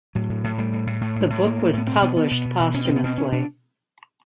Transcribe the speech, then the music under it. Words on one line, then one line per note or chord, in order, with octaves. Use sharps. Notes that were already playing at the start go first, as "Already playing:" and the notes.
The book was published posthumously.
A2 F#3
A2
A2
A2 G3
A2
A2
A2 A3
A2
G#3
A2 A3
A2 A#3
A2
A2 B3
B2 C4
B2 B3
B2 B3
B2 B3
B2
B2
B2 C#4
B2 C4
B3
B2 C4
B2 C#4
B2 D4